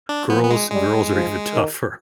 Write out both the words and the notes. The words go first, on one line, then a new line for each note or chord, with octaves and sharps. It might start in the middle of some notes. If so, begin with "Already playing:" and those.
girls girls are even tougher.
D4
F3 B3
B3
G#3
G3 G#3
F3
D#3